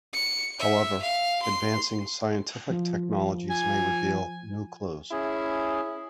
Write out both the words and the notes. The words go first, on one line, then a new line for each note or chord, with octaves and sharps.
However, advancing scientific technologies may reveal new clues.
C#7
E5
F5
C6
F3
G#5
C#4 E4 G#4